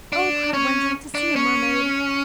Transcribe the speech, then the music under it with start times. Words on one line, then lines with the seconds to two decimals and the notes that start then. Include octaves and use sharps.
"Oh," cried Wendy, "to see a mermaid!"
0.13 D4
0.53 C#4
1.15 D4
1.36 C#4